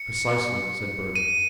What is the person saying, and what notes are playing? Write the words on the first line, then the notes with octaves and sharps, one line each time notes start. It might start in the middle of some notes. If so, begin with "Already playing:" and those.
"Precisely," said Burger.
Already playing: C#7
D#7